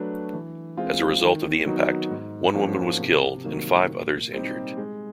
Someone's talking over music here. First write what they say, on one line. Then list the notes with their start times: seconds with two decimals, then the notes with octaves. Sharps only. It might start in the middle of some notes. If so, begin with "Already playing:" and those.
As a result of the impact, one woman was killed and five others injured.
Already playing: F#3 A3 D4 F#4 B4
0.33 E3
0.77 G#3 C4 F4
1.21 D#3
1.66 F#3 B3 D#4 F#4
2.10 G#2
2.54 F3 A#3 C#4 F#4
2.99 C3
3.44 D#3 F#3 A#3
3.88 A#2
4.33 G3 C4 D#4 G4
4.77 G#3